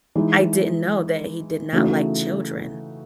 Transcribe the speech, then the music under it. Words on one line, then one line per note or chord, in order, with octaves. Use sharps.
I didn't know that he did not like children.
E3 G#3 D#4
C#3 E3 A3 D#4 F#4